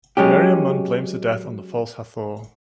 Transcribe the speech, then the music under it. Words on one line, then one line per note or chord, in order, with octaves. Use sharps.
Meriamun blames the death on the False Hathor.
F#3 G#3 C#4 G4